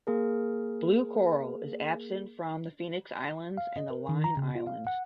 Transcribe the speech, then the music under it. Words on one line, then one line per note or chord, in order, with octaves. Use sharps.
Blue coral is absent from the Phoenix Islands and the Line Islands.
A#3 G#4 A#4
F5
D#5
A#4
D#3
A#5
C#3
F4
F5
F#5